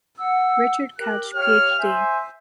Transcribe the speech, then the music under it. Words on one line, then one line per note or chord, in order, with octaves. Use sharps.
Richard Couch, PhD.
F#5 E6
G4 A#4 F#6
G4 C#5 F5 F6
C5 E5 G#5 G6